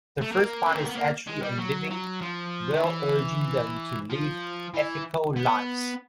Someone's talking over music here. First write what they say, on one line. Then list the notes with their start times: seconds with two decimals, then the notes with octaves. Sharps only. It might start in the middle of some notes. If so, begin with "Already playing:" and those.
The first part is actually a living will urging them to live ethical lives.
0.21 A3
0.32 A#3
0.66 C#4
0.76 C4
0.86 B3
0.95 A#3
1.27 G#3
1.42 G3
1.58 F#3
1.90 F#3
2.21 F3
2.74 D#3
2.84 E3
4.10 F3
4.74 E3
5.36 B3